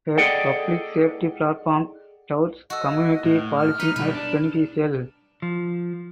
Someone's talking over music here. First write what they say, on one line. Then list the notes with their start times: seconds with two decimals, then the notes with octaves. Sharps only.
Her public safety platform touts community policing as beneficial.
0.17 G#4 A4 D5 D#5 F#5 G5
2.70 F#4 A4 D#5
3.24 A2
3.57 F6
3.80 D#4 B4
3.96 B1 G3 B4
4.14 D4
5.42 F3